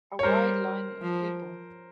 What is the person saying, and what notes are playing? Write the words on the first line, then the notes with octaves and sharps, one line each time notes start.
A wide line of people.
C#5
G3 A#4 C5
F3